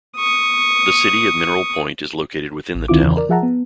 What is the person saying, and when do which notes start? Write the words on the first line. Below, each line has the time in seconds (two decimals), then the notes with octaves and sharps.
The City of Mineral Point is located within the town.
0.17 C#6 D#6
2.75 A1
2.88 C#2 D#3 C4 E4 F4 D6
3.02 E2 C#3 E3
3.17 A#4 D5
3.29 F3 G#4 E5 F#5 A5 A#5
3.43 B3